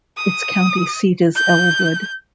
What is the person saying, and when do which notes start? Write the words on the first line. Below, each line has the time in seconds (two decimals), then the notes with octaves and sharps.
Its county seat is Elwood.
0.17 D#6
1.36 G6